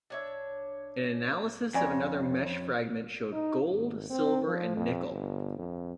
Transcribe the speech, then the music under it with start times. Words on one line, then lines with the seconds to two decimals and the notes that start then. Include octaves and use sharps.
An analysis of another mesh fragment showed gold, silver, and nickel.
0.10 D4 C#5 E5
1.74 F2 C#4 C#5 D5 G5 G#5
3.33 D#4
3.71 G#1
4.10 C4
4.46 F3
4.76 F2
5.11 G1
5.58 F2